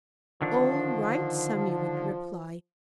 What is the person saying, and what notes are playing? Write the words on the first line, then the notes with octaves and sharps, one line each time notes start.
"All right," Sammy would reply.
D3 D#3 F3 D4